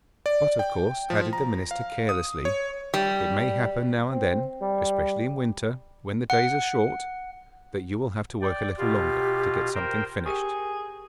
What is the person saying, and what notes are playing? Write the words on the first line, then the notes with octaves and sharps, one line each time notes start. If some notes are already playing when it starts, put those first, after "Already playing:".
'But, of course,' added the minister carelessly, 'it may happen now and then, especially in winter, when the days are short, that you will have to work a little longer, to get something finished.'
D5
G5
F3
A#5
F5
D#6
C#5
G3
C4
G3
F#5
D5 G5
B2 F4 G4
A#4 C5 G5
G4 G#4 A#4 G5